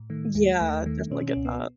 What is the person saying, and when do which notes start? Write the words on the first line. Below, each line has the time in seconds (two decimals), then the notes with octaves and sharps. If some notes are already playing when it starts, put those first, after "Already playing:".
Yeah, definitely get that.
Already playing: A2
0.10 D#3 A3
0.35 D#2 A3
0.48 G#3
0.61 D#2 A3
0.86 D#3 A3
1.11 B2 C#4
1.28 C#4
1.36 C#2
1.45 B3